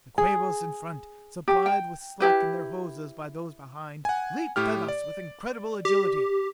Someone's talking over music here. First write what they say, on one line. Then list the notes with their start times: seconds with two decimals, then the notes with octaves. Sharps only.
The Quabos in front, supplied with slack in their hoses by those behind, leaped at us with incredible agility.
0.18 G#4
1.48 G4
1.66 G5
2.20 E4 G4 B4
4.05 F#5 G#5
4.56 A2 G4 F6
4.88 D5
5.85 G4